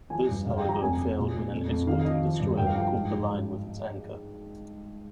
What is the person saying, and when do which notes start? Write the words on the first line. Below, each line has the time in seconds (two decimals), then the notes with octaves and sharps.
This, however, failed when an escorting destroyer caught the line with its anchor.
0.10 F3 G#5
0.29 G2
0.46 G2 F5
0.57 G5
0.64 F3 A#5
0.81 F2 G#5
0.98 C#3
1.17 A#2
1.34 A#2
1.52 F2
1.69 F2
1.86 D#3 F5
2.01 F5
2.05 D#3 D#5
2.23 F3
2.40 G2
2.57 G2 G5
2.66 F5
2.75 F3 G5
2.92 G#2
3.11 G#2